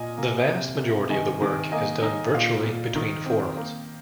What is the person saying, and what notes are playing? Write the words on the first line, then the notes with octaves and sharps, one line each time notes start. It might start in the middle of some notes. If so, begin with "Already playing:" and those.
The vast majority of the work is done virtually between Forums.
Already playing: A#2 A#3 D#5 G#5
A#3
C3
C3
D#3 D#5 G#5
D#3
A#3 D#5 G#5
D#4
A#2 F5
A#2
D#3
C4
A#3